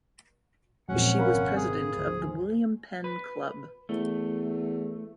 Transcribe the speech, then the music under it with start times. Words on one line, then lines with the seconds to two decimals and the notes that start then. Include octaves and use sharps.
She was president of the William Penn Club.
0.89 A#1 E2 A#2 F#3 G#3 C4 C#4 F#5
1.19 G#1 C3 C4 A#4 F5 B5
1.56 G#4
1.94 D2 F3
3.04 B4
3.89 E2 A3